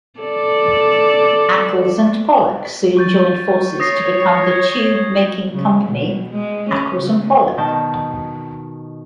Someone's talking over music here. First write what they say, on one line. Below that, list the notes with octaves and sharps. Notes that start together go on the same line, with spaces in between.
Accles and Pollock soon joined forces to become the tube-making company Accles and Pollock.
A4 D5
C#6 G6 A6
C#5 D#6 A#6 C7
G#6
C#3
B2
G#3
C#4
C#3
B2 D#3 G5 A5